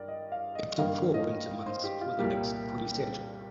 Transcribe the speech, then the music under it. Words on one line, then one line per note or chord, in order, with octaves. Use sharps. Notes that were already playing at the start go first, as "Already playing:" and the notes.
It took four winter months for the wax to fully set.
Already playing: G2 G3 A#4 D5
D#5
F5
D#5
G2 D#3 A#3 F5
D#5
C5
G4
F4
C2 A#2 G3 A#3 G4